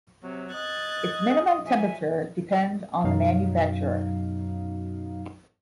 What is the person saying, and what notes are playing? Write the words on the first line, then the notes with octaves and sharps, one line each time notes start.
Its minimum temperature depends on the manufacture.
C3 F#3
D#5 F#6 G#6 A6
G#4
F3 F#3 E5 G#5
F#2 B2 F#3 D#4 F5